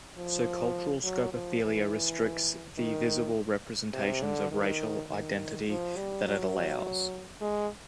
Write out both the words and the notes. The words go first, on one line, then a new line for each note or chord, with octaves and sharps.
So cultural scopophilia restricts the visible representations of racial identity that it allows.
F3
F#3
F3
E3
D#3
C3
D3
D#3
D#3
F3
G3
F#3
G#3